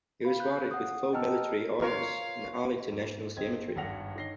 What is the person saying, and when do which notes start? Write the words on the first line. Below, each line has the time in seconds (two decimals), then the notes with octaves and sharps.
He was buried with full military honors in Arlington National Cemetery.
0.25 F5 B5
0.40 F#6 G6
0.71 F#5 D#6
1.13 D#5 G5 A5 A#5 E6 F6
1.82 F4 A#4 C#5 F5 C6 C#6
2.92 G#2
3.37 G1 C4 D#5 G#6
3.76 G#1 G2 F#5 A#6 F7
4.16 D3 D#4 C#5 A#6 C7 G7